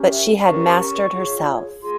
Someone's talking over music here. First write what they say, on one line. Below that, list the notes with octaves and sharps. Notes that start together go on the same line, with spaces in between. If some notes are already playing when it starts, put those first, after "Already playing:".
But she had mastered herself.
Already playing: C#4 G4 A#4
E5
C#4 G4 A#4 C#5 C#6
F4 G#4 C#5
F4 G#4 C6